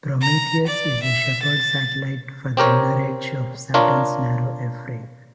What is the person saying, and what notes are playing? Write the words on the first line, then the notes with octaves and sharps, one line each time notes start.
Prometheus is a shepherd satellite for the inner edge of Saturn's narrow F Ring.
A#5
D5
E5
A6
C4 G4 A#4 C#5
D4 F4 A#4 C#5